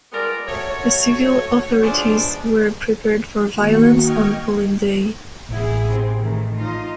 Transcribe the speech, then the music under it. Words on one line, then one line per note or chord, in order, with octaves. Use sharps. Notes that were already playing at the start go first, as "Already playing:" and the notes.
The civil authorities were prepared for violence on polling day.
G3 G#3 B3 F4 A#4 D5
A3 F#4 C#5
F3 G#3 B3 D4
D#2 D#3 A#3 F#4 C#7
D#5 G5 C#6 F6 G#6
A1 B3 E4 G#4
C3 C4
D#3 E3 A3
D#4 F4 D#5